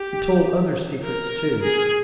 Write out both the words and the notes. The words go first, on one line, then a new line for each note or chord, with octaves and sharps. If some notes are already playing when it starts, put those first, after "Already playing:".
It told other secrets too.
Already playing: G4
A#4
G#4